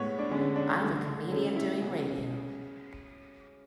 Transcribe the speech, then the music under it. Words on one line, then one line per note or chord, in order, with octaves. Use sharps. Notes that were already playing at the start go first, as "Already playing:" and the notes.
I'm a comedian doing radio.
Already playing: A2 G#3 B3 C#5
D4
D3 G#3 B3 C#4
D4
D3 A3
C#3 F#3 A3
E4
C#3 G#3 B3 G#4